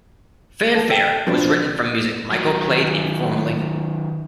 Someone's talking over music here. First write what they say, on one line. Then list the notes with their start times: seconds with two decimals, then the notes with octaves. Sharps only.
"Fanfare" was written from music Michael played informally.
0.75 A4
0.89 A4 E5 G5
1.27 F2 F3 D4 B4
2.31 D#3 F#3